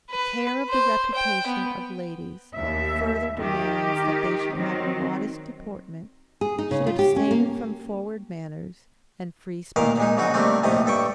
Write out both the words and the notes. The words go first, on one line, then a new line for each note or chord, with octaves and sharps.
The care of the reputation of ladies further demands that they should have a modest deportment; should abstain from forward manners, and free speeches.
B4
C5
G5
B3
D#2 E5
D#3 G4
D#3 F#3 C4
G#4
D#4
C#3
F4
G4
C#4
A#3
A1 A#2 D#3 A#4 F5
A#2 G#3 D#4
A#1 C#3 F#3 D#4 F#4
D#3 G3 A3 C4 D4
A#1 D#2 A2 C3 D#3 D#5
G2 A4 G5 C#6